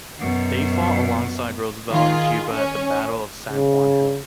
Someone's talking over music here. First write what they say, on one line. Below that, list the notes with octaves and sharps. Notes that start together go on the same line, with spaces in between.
They fought alongside Roosevelt in Cuba at the Battle of San Juan Hill.
F#2 B2
D#3 F4 G#4
C#4
C#3